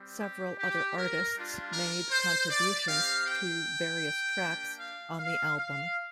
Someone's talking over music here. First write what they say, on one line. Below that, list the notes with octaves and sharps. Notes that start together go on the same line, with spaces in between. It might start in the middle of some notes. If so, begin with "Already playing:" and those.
Several other artists made contributions to various tracks on the album.
Already playing: G3 C4
G4
G4
A#4
G3 D4 F4
A#4
C5
D5
C4 G4 F5
G5
A#3 D4 G4
F5
F5
F5